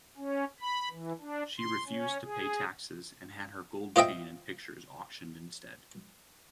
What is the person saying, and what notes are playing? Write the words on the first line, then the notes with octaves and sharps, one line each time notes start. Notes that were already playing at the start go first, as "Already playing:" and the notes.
She refused to pay taxes and had her gold chain and pictures auctioned instead.
C#4
B5
E3
D4
C6
C#4
G#4
F4 C5 D#5 E5 G5